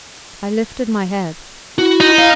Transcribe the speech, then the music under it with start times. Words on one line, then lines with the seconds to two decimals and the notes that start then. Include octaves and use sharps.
I lifted my head.
1.78 E4 F#4
2.00 D#4
2.19 F5